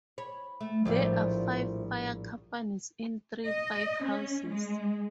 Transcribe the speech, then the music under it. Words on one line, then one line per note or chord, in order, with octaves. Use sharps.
There are five fire companies in three fire houses.
C#5 B5
A3
A#1 A2 F3 G3 A3 F4
D#5
C#4
G#3